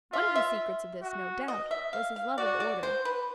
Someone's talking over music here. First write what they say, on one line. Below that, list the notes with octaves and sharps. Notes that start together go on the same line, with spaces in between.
One of the secrets of this, no doubt, was his love of order.
F4 E5
E5
F#4
D#5
E5
F5
F5
F#4 D5
D5
C5
B4